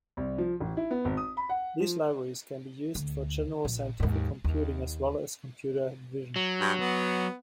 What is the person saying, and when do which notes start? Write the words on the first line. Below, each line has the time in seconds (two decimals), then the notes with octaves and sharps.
These libraries can be used for general scientific computing as well as computer vision.
0.17 C2
0.38 F3
0.60 A1
0.77 E4
0.91 B3
1.05 G#1
1.17 D#6
1.37 B5
1.49 F#5
1.80 F3
2.95 D2
3.65 A#1
4.00 D#2 G#2
4.44 D#2
6.36 F#3
6.61 G2
6.78 B3